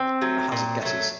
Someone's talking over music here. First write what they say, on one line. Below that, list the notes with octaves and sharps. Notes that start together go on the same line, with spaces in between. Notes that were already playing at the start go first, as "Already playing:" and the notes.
I hazard guesses.
Already playing: C4
F#3 A3
A#2
F#3 A3